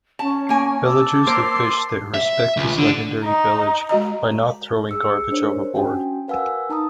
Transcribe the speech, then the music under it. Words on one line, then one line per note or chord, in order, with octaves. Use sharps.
Villagers who fish there respect this legendary village by not throwing garbage overboard.
C#4 A5
A#3 G#5
A5 D6 E6
A#3 A#4 C5 C6
E5
C#2
D3
D#4
G#3 F#4 D#5 A#5
G#4 E6 C#7
D4 A#4 C5 C#5
C#4 F#4 G5 G#5
A#4 B4 F5 F#5 G#5 E6
D#4 A5 A#5 D#6